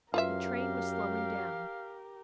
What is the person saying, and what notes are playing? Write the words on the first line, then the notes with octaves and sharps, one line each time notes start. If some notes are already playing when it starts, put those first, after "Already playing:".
The train was slowing down.
F#2 F4 G4 A#4 B4 E5 F5